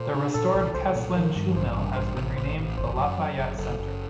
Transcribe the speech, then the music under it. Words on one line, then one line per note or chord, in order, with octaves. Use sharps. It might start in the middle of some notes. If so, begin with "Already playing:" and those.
The restored Kesslen Shoe Mill has been renamed the Lafayette Center.
Already playing: A#2 A4 C5
D4
A#2 A4
C2
C2 C5
A#2
D#3 A#4
G2
A1 C5
G2
A1 C5
A1
A1 C5
A1
F#1 C5
F#2
F#3
F#1
F#1 A4
F#1